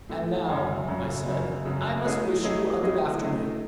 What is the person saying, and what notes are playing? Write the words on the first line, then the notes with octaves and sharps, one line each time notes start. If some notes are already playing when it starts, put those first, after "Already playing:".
"And now," I said, "I must wish you a good afternoon."
A2 E3 A3
F#2 C#3 F#3
F#2 C#3 F#3
F#2 C#3 F#3
F#2 C#3 F#3
F#3 A3 E4 G#4 D#5
F#3 A3 E4 G#4 D#5
F#3 A3 E4 G#4 D#5
F#3 A3 E4 G#4 D#5